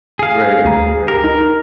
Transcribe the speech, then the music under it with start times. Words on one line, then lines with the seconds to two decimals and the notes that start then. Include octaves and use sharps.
Right, right.
0.19 G#4 F5
0.65 D2 G#5 A#5
1.08 G4 A#4
1.24 D#4